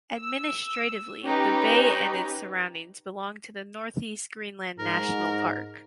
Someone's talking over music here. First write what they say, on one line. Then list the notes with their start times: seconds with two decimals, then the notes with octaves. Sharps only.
Administratively the bay and its surroundings belong to the Northeast Greenland National Park.
0.17 E6
1.25 C#4 D#4 G4 B4
4.78 G#2 A#4